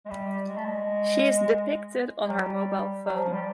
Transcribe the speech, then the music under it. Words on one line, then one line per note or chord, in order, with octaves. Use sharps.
She is depicted on her mobile phone.
G#3
G3
G#3
A3
G#3
F#3
G3
F#3
F3
G3